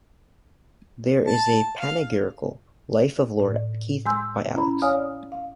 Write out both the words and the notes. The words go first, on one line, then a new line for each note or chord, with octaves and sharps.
There is a panegyrical "Life of Lord Keith" by Alex.
A5
F5
A2 D5
G#3 G#5 C6 E6 G6
C#4 E4 A#5 B5
C#5 D5 F5 G#5 D#6 F6
F5